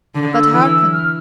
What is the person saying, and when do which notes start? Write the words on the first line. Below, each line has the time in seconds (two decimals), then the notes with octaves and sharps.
But hearken!
0.15 D3
0.34 E6
0.53 E3 E6
0.93 F6